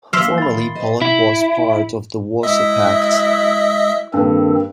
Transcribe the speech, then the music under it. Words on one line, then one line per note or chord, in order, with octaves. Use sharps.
Formerly, Poland was part of the Warsaw Pact.
F#3 A#3 E5 F5 C6 C7 G7
B5 A6
D#3
C5 D#5 E5
E4
F#3 G#3 E4 D#5 E5
G2 D#3 A#3 C4 D4 A4